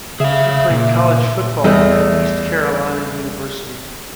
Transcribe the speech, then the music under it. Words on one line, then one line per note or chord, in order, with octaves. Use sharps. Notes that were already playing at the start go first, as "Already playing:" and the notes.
He played college football at East Carolina University.
C#3 G#4 E5 F5
A#2
E2 G3 A3 A4 D#5